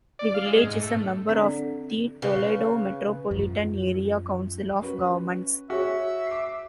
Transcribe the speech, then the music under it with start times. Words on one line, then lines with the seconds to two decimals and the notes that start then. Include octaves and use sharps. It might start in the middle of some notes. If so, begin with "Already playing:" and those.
The village is a member of the Toledo Metropolitan Area Council of Governments.
0.19 D5
0.34 F5
0.46 G#3
0.63 G#2
0.82 A3
1.29 D3 C4
2.22 C#3 B4
3.31 F#2 F3
4.81 C#4 F#4 B4
5.70 F#4 G#4 C#5 E5
6.27 D6 C7